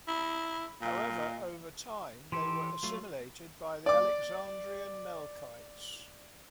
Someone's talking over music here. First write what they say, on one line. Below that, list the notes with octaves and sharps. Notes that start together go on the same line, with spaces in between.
However, over time, they were assimilated by the Alexandrian Melkites.
E4
A#2
E3 G4 A4 C6
F#3 A3 F4
D5 D6